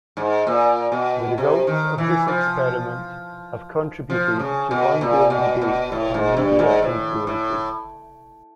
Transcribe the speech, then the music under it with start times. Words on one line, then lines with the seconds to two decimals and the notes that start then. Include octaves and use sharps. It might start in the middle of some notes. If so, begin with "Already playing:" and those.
The results of this experiment have contributed to ongoing debates on media influences.
0.17 G#2
0.47 A#2
0.92 B2
1.38 C3
1.67 D#3
1.98 E3
2.28 F3
4.10 F3
4.39 C#3
4.71 B2
5.01 A#2
5.30 B2
5.62 B2
5.92 A2
6.14 G#2
6.37 G2
6.59 G#2
6.82 A2
7.27 A2